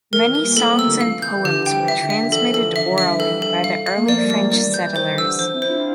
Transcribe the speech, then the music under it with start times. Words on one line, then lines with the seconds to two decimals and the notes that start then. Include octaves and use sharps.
Many songs and poems were transmitted orally by the early French settlers.
0.13 F3 A3 A#4
0.28 E3
0.35 A#4
0.42 G3 A#3
0.56 A3 C4 A4
0.67 A3
0.71 G3 A#3
0.79 E6
0.86 D3 F3
1.00 E3 F5
1.15 E3
1.22 G6
1.29 E3
1.44 D3 G4
1.59 E3
1.66 G3 G5
1.73 D3 F3
1.88 E3 E5
2.03 D3
2.10 E5
2.17 D3
2.28 F3
2.32 E3 A4
2.54 A4
2.76 D3 F3 E5
2.90 D3 F3
2.98 E5
3.05 E3 G3
3.20 A4
3.42 A4
3.64 F5
3.87 F5
3.97 A#3
4.07 F3 A3 D5
4.22 G3 A#3
4.30 D5
4.37 G3 A#3
4.51 A#3 D4 D5
4.66 E3 G3
4.74 G6
4.82 E3
4.95 E3 C5
5.11 D3
5.18 E6
5.25 E3
5.39 D3 F3 C5
5.54 C4 E4
5.62 C5
5.69 D4 F4